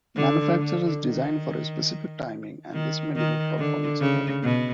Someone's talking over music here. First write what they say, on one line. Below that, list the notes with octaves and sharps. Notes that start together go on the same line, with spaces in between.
Manufacturers design for a specific timing and this may limit performance accordingly.
D3
D3
D#3
D#3
D#3
D3
C#3
B2